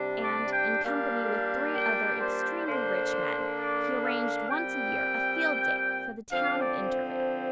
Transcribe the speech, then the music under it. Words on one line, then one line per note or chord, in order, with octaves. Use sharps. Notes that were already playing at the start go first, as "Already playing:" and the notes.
And in company with three other extremely rich men he arranged, once a year, a Field Day for the town of Intervale.
Already playing: C3 G3 D4
D5
G5
A#2 G3 A#3 D4 F5
G5
C5
D3 A#3 D4 C5
D5
F5
A#2 G3 C4 G5
D3 F3 C4 F5
D5